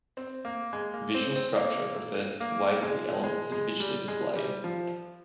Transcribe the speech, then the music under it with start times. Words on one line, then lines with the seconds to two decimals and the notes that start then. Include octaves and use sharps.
Visual structure refers to the way that the elements are visually displayed.
0.17 C4
0.45 A#3
0.73 G#3
0.94 A#3
1.15 C4
1.36 C4
1.56 A#3
2.40 A#3
2.83 G#3
3.24 G#3
3.52 G#3
3.80 G3
4.08 G#3
4.36 G3
4.64 F3